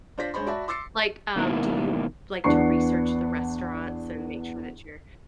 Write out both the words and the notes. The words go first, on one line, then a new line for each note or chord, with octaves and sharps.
Like, um, do you like to research the restaurants and make sure that you're
D4 F4 C5 D5 A#6 B6
G2 G#3 C5 C#5 B5 C6
F#4 D5 E5 A5 B5
C6 D6 E6 A6 C7 C#7
G#2 B2 D#3 A#3 E4
E2 B3 D4 C#6 C7